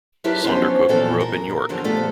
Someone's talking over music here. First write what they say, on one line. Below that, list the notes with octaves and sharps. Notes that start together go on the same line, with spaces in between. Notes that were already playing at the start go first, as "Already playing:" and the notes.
Saundercook grew up in York.
F#3 D4 E4 G4 A#4 B4
F3 F#3 B3 C#4 D#4 C5
A#2 E3 F3 B3 F#4 A4
A#4
E2 D3 F3 F#3 G4
A#2 F3 G3 A3 B3 A4